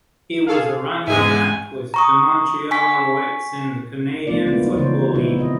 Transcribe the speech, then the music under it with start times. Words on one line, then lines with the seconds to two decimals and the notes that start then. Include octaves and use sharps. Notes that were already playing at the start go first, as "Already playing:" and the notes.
He was a running back with the Montreal Alouettes in the Canadian Football League.
0.47 G#4 A4 F5
1.08 E2 G#2 G#3 G#4 E5 G#5
1.94 A#5 C#6 D#6
2.71 G#5 C#6 B6
4.27 F3 A3 B3 C4 F4 D5
4.46 G#3 A#3 B3 E4 F4
4.62 D#3 D#4 D5
4.76 C#3 E3 C5 C#5
5.14 F3 G3 B3 D#4 E4
5.36 F3 C4 D#5